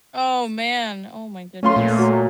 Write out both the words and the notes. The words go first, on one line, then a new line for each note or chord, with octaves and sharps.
Oh man, oh my goodness.
A3 C#4 F4 C6
A#2
F#3